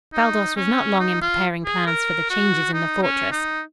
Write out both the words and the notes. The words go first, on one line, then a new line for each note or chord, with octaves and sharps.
Baldos was not long in preparing plans for the changes in the fortress.
D#4
C#4
D#4
F4
G#4
A#4
F#4
D#4
C#4
D#4